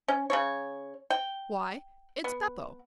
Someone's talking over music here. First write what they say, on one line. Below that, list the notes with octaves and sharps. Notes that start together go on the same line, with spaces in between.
Why, it's Beppo.
C#4
C#3 G3 C#5
G5
B3